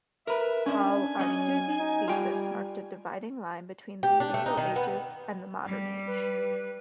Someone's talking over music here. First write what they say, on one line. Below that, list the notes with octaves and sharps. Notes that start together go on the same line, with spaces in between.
Al-Arsuzi's thesis marked a dividing line between the Medieval Ages and the Modern Age.
A#4 B4 E5
C#4 D4 E5 G#5
F#3 C#4 D#5
D#4
G3 F4 G5
G4
D4
A3
D#4
D#3
B3
G3
B4